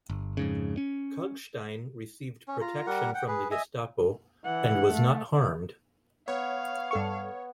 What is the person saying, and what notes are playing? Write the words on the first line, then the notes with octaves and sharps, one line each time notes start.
Kalkstein received protection from the Gestapo and was not harmed.
G1
F2 G#2 C#3
C#4
C#4
F4 A#5
G3 A#4 F#5
F#5 G5
G#4 B4
D#5 E5 G#5
E3 F#5
A3
B3 C#5 F5
G2 A4 C#6